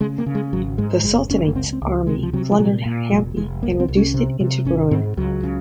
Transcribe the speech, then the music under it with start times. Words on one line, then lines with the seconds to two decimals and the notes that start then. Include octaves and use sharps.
The Sultanates' army plundered Hampi and reduced it into ruin.
0.01 C#3 G#3
0.18 A#3
0.26 C#3
0.35 G#3
0.53 G#1 F#3
0.78 G#2 G#3
1.04 F#1 G#3
1.29 F#1 C#4
1.47 A#3
1.55 C#2 C4
1.73 C4
1.82 C#2
2.07 C3 G#3
2.23 F3
2.33 C3 F#3
2.52 F3
2.59 A#2 F#3
2.85 A#2
3.11 F1 F#3
3.36 F1 G#3
3.63 C2 A#3
3.80 C4
3.88 C2
3.97 C#4
4.14 C3
4.40 C3
4.65 G#1 C#4
4.91 G#2 C4
5.17 C#2 F#3
5.43 C#3